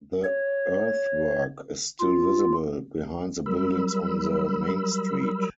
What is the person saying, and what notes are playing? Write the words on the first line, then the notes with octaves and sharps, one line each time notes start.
The earthwork is still visible behind the buildings on the main street.
C#5
F4
F#3 G3 A#4 B5 E6